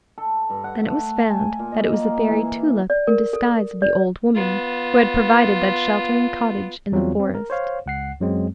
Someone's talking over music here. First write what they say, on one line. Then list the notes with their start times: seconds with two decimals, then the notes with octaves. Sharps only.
Then it was found that it was the Fairy Tulip in disguise of the old woman who had provided that sheltering cottage in the forest.
0.18 A4
0.50 G2
0.64 F#5
0.83 A3
1.18 A3
1.30 G#5
1.59 A#2
1.72 D#5
1.93 A#3
2.28 E3
2.90 D5
3.07 A#4
3.33 A4
3.82 D5
4.35 B3 F4
6.92 E2 F#3 G3 C4 F4
7.20 C4
7.35 A#4
7.50 C5 C#5 F5
7.86 C#2 F#5 C7
8.20 F#2 F#3 G#3 C4